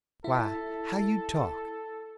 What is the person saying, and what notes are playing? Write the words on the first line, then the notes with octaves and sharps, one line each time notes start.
Why, how you talk!
E4 A4